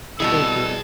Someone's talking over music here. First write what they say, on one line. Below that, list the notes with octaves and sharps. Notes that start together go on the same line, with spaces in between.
thank you.
B2 G3 E4 G#4 A4 D#5 A5 E6